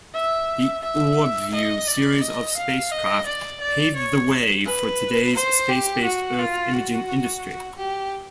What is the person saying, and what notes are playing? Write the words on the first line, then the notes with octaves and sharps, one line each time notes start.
The OrbView series of spacecraft paved the way for today's space-based Earth imaging industry.
E5
E5
D#5
D5
D#5
F5
D#5
D5
D5
C#5
B4
C5
G4
F#4
F4
F#4
G4